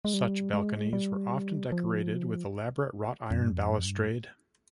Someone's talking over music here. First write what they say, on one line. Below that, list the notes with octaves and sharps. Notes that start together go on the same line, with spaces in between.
Such balconies were often decorated with elaborate wrought iron balustrade.
G#3
G3
G#3
G3
F3
F2
G2
F2
G2
F2
G2